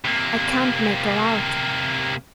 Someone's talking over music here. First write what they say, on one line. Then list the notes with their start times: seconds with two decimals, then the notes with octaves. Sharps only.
I can't make her out.
0.05 C3 A#3